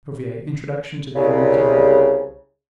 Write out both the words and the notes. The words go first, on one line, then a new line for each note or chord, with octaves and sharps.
Cuvier: Introduction to the Animal Kingdom.
C2 C#3